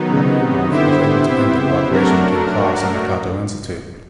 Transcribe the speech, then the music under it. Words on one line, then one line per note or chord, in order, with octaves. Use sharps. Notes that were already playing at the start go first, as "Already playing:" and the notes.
Illarionov was able to end the cooperation between Klaus and the Cato Institute.
Already playing: D#3 F#3 B3 D#4
C#3
C3
D3 B3 E4 G4 C5 E5
D3
C3
C#3
C3 F#3 A3 D4 F#4 A#4